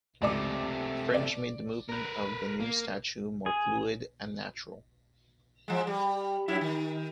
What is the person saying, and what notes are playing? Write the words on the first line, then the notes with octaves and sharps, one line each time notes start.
French made the movement of the new statue more fluid and natural.
C#2 C3 A3 D5 D6
D5
A#4 B4
A#3
G#4
F3 G#3
G3
G2 F#3 E4
D#3